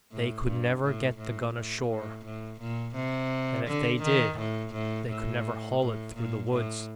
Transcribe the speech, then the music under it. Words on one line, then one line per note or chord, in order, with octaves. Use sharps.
"They could never get the gun ashore, and if they did, they could never haul it through the woods."
A2
G2
A2
A2
A2
A2
A2
A#2
C3
D3
D#3
A2
A2
A2
A2
A#2
A2